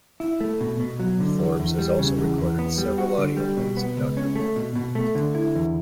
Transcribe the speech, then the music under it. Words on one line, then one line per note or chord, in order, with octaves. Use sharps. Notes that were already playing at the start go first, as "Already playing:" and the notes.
Forbes has also recorded several audio plays of Doctor Who.
E4
A3
B2
B2
F#3
D3
E2
E2
G3
C#3
E2
E2
B3
G3
F#4
D3
G3
B2
B3
C#2
C#4
A3
B2
B2
A3
D3
E4
E2